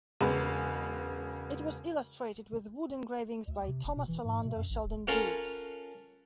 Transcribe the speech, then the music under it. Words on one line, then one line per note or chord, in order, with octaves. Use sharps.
It was illustrated with wood engravings by Thomas Orlando Sheldon Jewitt.
E1 C#3 G#3 B4
D2
C3
F1
B2
E3
G#2
B2
F#2
A1
D1
C#4 F4 A4 A#4 C#5 F#5